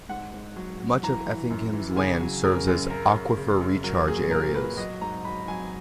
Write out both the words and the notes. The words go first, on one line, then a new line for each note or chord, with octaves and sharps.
Much of Effingham's land serves as aquifer recharge areas.
G#2 F#5
G#2
F#3
F#3
E3 A#5
E3
F#2
E3
C#3 G#5
F#3
C#3 A#4
F#2
C#3 A#4
F#2
C#3
F#2
F#3 A#4
A#2 G#4
A#2 A#4
F#3 B4
F#3 D#5
G#2 A#5
F#3 B5
F#3 G#5